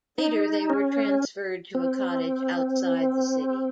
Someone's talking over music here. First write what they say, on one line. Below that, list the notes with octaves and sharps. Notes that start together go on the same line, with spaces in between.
Later they were transferred to a cottage outside the city.
D#4
C#4
C4